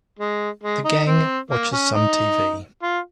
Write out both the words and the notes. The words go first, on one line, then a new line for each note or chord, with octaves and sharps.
The gang watches some TV.
G#3
G#3
D#4
C4
A#3
C#4
D#4
F4